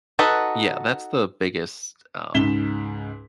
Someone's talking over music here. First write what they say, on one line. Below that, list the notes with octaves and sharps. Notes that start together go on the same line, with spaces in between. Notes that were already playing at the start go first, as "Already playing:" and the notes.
Yeah, that's the biggest, um
D#4 F#4 A4 B4
C#2 G#2 B6 E7 G7